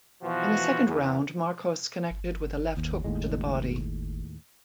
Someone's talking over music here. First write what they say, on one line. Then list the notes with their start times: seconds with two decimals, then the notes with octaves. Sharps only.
In the second round, Marcos connected with a left hook to the body.
0.22 B2 E3 F3 F#4
0.86 E2
2.11 G1
2.77 D#2
3.04 D#2 A2 G#3